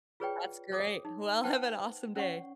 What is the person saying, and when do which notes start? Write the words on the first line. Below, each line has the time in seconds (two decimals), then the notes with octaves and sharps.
That's great. Well, have an awesome day.
0.20 F4 G#4 B4 C#5 D5 G5
0.72 C#5 D6 D#6
1.05 D#4
1.43 B4 C5 F#5 G5 A5
2.16 C#4 C#5 D5 F#5 C#6